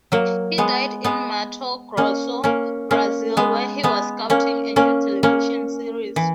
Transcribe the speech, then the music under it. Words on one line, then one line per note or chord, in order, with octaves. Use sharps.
He died in Mato Grosso, Brazil where he was scouting a new television series.
F#3 A#3
G#3 B3
G#3 B3
A#3 C#4
A#3 C#4
A#3 C#4
G#3 B3
G#3 B3
A#3 C#4
A#3 C#4
A#3 C#4
E3